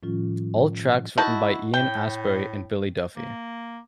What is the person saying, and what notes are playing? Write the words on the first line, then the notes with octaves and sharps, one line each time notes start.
All tracks written by Ian Astbury and Billy Duffy.
A2 D#3 F3 G3 C#4 F4
D#4 E4 F#4 A5
A2 G5
A#3